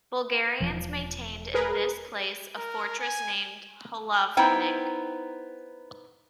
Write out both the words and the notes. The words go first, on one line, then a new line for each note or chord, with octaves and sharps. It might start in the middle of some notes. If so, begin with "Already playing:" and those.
Bulgarians maintained in this place a fortress named "Holavnik".
E1 F3
G#4 A#4 B4
A#4
G#5
B3 D#4 E4 C5 G5